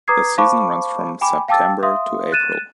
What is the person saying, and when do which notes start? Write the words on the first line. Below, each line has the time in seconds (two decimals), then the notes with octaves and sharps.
The season runs from September to April.
0.08 B4 A#5 D6 D#6 G#6 C7
0.38 C5 F5 A5 B5 C#6 D6
1.21 G5 G#5 B5 D6
1.48 F5 G5 A5 D6 E6 A6
1.83 E5 F5 C6 D#6
2.32 F#6 A6 D#7 E7